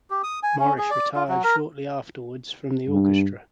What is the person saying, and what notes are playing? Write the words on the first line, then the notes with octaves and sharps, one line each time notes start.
Morris retired shortly afterwards from the orchestra.
G4
D#6
G#5
C#4
G#4
D5
F4
F#3
A#4
G2